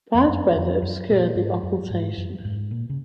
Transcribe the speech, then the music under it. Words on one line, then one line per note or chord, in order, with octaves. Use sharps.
Bad weather obscured the occultation.
F2
F#2
F2
F#2
A#2
G#2
F#2
G#2
F#2
G#2
A#2
C#3